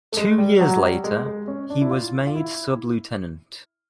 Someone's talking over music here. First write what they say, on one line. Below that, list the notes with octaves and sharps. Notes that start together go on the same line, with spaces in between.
Two years later, he was made sub-lieutenant.
A3
G#3
G3
F#3
G3
G#3
G#3
C#4
D4
E4
F4
F4
E4